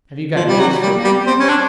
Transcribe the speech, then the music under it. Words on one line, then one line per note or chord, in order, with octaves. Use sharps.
"Have you got news for him?"
F3
G3
F#3
G3
G3
C4
C#4
D4